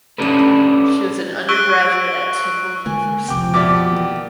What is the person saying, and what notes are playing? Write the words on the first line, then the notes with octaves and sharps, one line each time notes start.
She was an undergraduate at Temple University.
C#4 D4 G4 A4 B4
C#6 E6 F#6 D7 G7
D3 G#3 A#3 G#5
F1 C#2 C3 F3 G5 D6
B2 G4 D5 E5 D6
E3 A#3